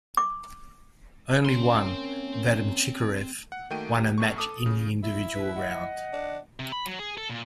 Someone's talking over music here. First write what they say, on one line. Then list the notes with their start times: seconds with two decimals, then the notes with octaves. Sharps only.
Only one, Vadim Chikarev, won a match in the individual round.
0.17 D6
1.45 A#3 C4 C#4 C6
3.52 F#5
3.70 D#3 A3 A#3 F#4 G5 D#7
3.97 G4
4.18 A1 E2 A3 C#6
4.38 A4 D6 D#6
4.66 C#3
5.03 E4
5.34 B4
5.56 D#5 F#5
6.13 D4
6.60 C3
6.72 B5
6.85 F#3
6.99 G#4
7.18 A4
7.30 A#2